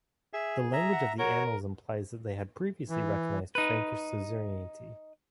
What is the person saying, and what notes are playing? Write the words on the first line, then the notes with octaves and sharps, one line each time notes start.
The language of the "Annals" implies that they had previously recognized Frankish suzerainty.
G#4 E5
E5 A#5
F#5
F#4 A#4 C#5
E3
D#4 B4